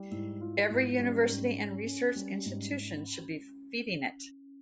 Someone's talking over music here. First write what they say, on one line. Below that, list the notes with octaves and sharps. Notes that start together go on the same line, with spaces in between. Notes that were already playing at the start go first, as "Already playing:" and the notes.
Every university and research institution should be feeding it.
Already playing: G3 E4
G#2 E4
F4
G#2
G3 C#4
G#2
C#4
C#4
G3
G#2